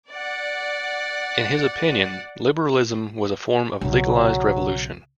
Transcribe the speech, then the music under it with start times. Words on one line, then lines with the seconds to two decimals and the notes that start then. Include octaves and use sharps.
In his opinion, liberalism was a form of legalized revolution.
0.10 D5 F#5
3.81 B1 C#3 F#3